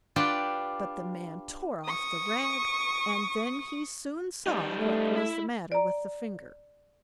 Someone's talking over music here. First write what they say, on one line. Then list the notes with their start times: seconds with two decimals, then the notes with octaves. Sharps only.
But the man tore off the rag, and then he soon saw what was the matter with the finger.
0.16 D4 F4 G4 B4 D5
1.85 C#6 D#6
4.47 G3 D#4
4.79 A3
5.16 E4 E5
5.72 D5 A#5